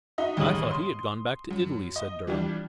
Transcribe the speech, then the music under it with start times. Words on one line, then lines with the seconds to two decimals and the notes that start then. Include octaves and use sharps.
"I thought he had gone back to Italy," said Durham.
0.18 D#4 F#4 D#5 E5
0.37 A1 D#2 C#3 G3 D#6 F#7
0.71 C6
1.51 F#2
1.96 D#5
2.27 E3 F3 G3 D4 G4